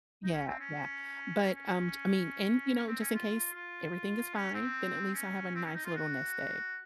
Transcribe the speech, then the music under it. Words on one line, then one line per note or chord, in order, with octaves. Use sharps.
Yeah, yeah. But, um, t I mean, and, you know, just in case everything is fine, then at least I have a nice little nest egg.
D#4
C#4
C4
C#4
C#4
C#4
C4
C#4
F4
F4
C#4
C4
C#4
C4
C#4
D#4
F4
F#4